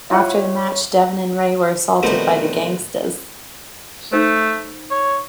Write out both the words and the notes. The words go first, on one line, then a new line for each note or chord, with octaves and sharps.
After the match Devon and Ray were assaulted by the Gangstas.
E4 F4 C#5 F#5
B2 D#3 F3 G3 A3 C4
A3 D#4 C5
C#5